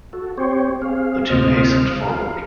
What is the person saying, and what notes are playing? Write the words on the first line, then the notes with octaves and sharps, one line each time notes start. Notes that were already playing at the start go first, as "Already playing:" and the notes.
The two hastened forward.
F#4 A4
C4 G4 C5 C#5
C4 G#4 F5
D2 C3 C4 C5 D#5 F6
F5